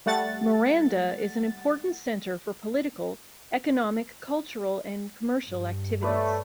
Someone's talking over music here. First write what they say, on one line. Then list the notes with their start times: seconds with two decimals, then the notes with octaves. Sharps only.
Miranda is an important center for political, economic, cultural and commercial activities.
0.06 G3 A3 F#5 A6
5.46 G2
6.02 A3 B4 C#5 D5